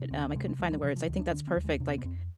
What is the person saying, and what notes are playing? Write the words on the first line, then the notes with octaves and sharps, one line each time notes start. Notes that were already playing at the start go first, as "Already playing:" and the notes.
um, I couldn't find the words. I think that's perfect, like
Already playing: C3
D2 C4
C3 G#3
G#3
D2 G#3
G3
C3 F3
F3
D2 D#3
D4
D3 D4
C4
D#2
G#3
C3 D4
C4
B3
F2 C4